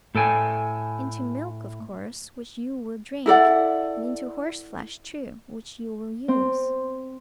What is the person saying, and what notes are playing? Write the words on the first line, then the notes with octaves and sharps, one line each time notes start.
Into milk, of course, which you will drink; and into horseflesh too, which you will use.
A2 A4 G5 G#5
E4 A4 D5 F#5
C4